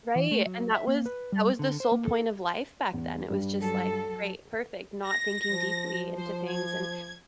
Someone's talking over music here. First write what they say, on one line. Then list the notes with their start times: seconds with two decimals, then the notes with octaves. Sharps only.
Right, and that was that was the sole point of life back then, it was just, like, "Great, perfect," not thinking deeply into things. And
0.15 E3
0.31 A3
0.46 F#3
0.73 E5
0.87 A#3
1.06 B4
1.32 G3
1.59 D3
1.80 C5
1.92 A#3
2.05 A4
2.93 E2
3.29 G2 G3
3.59 F#3 A4
5.06 A#6
5.48 F3
6.17 C5
6.49 G#6